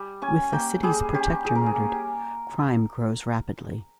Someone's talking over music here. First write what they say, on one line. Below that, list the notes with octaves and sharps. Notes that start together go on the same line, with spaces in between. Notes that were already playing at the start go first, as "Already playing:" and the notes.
With the city's protector murdered, crime grows rapidly.
Already playing: G3
C#4 G#5
A#3 G5
G3 G#4
C#4 G4
G3 G#4
A#4
G#4
A#3
G4